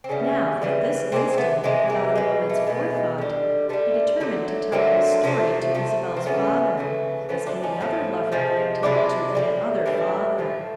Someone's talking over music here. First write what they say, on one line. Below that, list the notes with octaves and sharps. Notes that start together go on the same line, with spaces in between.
Now, at this instant, without a moment's forethought, he determined to tell his story to Isabel's father,--as any other lover might tell it to any other father.
C4
C#3 E3 G3 B3 C#4
C#3 E3 G3
C3 E3 G#3 A#3 C4
C4
A3 B3
C3 E3 G#3 A#3
A#3
B2 G#3
A3
A#3
B2 G#3 A3 B3
D3 G3
D3 G3 A3 B3
D3 F#3 A3
D3 F#3 A3 A#3 C4
C3 F3 A3
C3 F3 A3
C4
C#3 E3 A3 B3 C#4
C#3 E3 A3
A2 F3 A3 B3 C#4
C4 D4
C#4 D#4
A2 F3 A3
C3 F3 G#3
C3 F3 G#3 D4 E4
A2 E3 G3
A2 E3 G3 D4 E4
A2 F3 A3